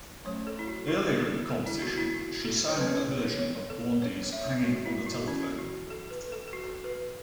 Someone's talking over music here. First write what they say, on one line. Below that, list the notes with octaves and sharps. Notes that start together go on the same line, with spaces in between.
Earlier in the competition she sang a version of Blondie's "Hanging on the Telephone".
F#3 A3 C#4 C#5
A4
E4
F#4
F#4
A4
A4
E4
F#4
E4
F#4
A4
C#5
F#3 B4
C#4
C#5
C#5
C#5
A4
C#5
C#5
E5
F#4
E4
F#4
E3 C#4 E4
A4
F#4
A4
B4
A4
A4
F#4
B4